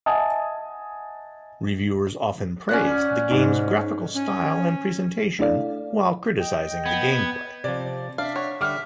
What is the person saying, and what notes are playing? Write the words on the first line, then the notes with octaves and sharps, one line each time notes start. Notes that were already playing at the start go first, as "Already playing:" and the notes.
Reviewers often praised the game's graphical style and presentation, while criticising the gameplay.
D#5 E5 F#5 G#5 A5 D#6
C#4 D5 F#5
G#2
C#4
A3 D4 E4 A4 D5 F5
D#5 G5
B3 G#6
C3 F3 D5
D4 E5 F5
C#5 F#5
D3 G3 E5 F#5 D6 F6